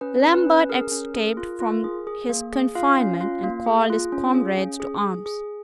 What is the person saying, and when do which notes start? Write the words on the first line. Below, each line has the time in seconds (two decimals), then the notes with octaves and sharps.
Lambert escaped from his confinement, and called his comrades to arms.
0.01 C#4 B4
0.23 C#4
0.34 B4
0.46 C#4
0.69 G#4 A#4
0.91 C#4
1.14 G#4
1.37 F4
1.60 F4
1.84 G#4
2.07 G#4
2.29 A#3
2.53 G#4
2.75 F4 F5
2.98 C#4
3.21 F4
3.44 A#3
3.66 G#4
3.90 F4
4.12 C#4
4.34 G#4
4.57 C#4
4.80 G#4
5.04 G#4
5.26 G#4